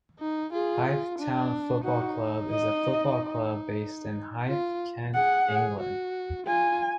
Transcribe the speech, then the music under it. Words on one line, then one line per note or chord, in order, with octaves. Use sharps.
Hythe Town Football Club is a football club based in Hythe, Kent, England.
D#4
F4 G#4
D4
D#4 F#4
D#5
F4
G#4 F#5
G#4
F#4
F4 G#5